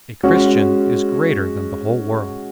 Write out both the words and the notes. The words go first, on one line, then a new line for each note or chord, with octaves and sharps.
A Christian is greater than the whole world.
G#3 C#4 F#4